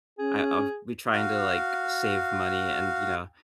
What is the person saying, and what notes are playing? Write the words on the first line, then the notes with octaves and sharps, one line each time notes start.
I I'll be trying to, like, save money and, you know,
C#4 G#4
F#4 F5